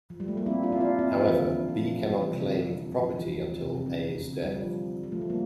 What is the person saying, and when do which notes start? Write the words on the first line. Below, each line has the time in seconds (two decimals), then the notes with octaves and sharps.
However, B cannot claim the property until A's death.
0.10 F3
0.20 G3
0.28 A3
0.37 G3 A#3
0.46 C4 E4
0.63 D4 F4
0.72 C4 E4
0.81 D4 F4
0.99 C4 E4
1.16 F3
1.27 E3
1.40 D3
1.51 D3
1.69 F3
1.86 F3
2.05 G3
2.22 E3
2.33 C3
2.46 D3
2.92 F3
3.10 F3
3.18 E3
3.62 C3
3.75 C3
3.86 D3
4.33 D3
4.45 G3
4.56 F3
5.03 F3
5.12 A3
5.21 F3
5.30 G3 A#3